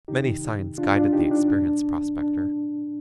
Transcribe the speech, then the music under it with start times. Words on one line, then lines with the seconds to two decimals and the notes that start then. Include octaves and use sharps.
Many signs guided the experienced prospector.
0.08 F2 C3 D#3 D#4 G4
0.78 D4 F4
0.96 D4 F4
1.13 D#4 G4
1.31 D4
1.48 A2 G3 D4
2.19 D4